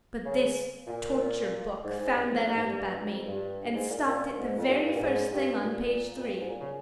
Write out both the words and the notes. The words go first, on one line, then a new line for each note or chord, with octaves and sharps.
But this torture book found that out about me, and stopped it the very first thing on page three.
C#3
A#2
G#2
G#2
G2
F2
G2
G#2
G2
F2
G2
G#2
A#2
A#2
G#2
F2
G2
G2
A#2
G#2
G2
A#2
F2
G2
G#2
A#2
C#3